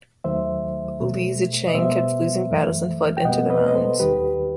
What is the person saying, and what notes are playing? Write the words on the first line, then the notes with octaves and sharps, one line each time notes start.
Li Zicheng kept losing battles and fled into the mountains.
D#2 D#3 F#3 A3 C5 E5
B2 A3
D#5
B2 G3 B3 C5 E5
F#2 E3 A3
G5
B2 G3 B3 D#5 F#5
B4 D#5
D#5
A4 C5
D#2 D#3 G3 G4 B4